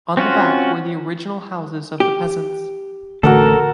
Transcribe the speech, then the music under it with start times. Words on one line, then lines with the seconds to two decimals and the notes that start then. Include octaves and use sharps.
On the back were the original houses of the peasants.
0.17 C4 C#4 F4 F#4
2.00 G4
3.23 A1 D3 A3 F#4 A4 A#4 F#5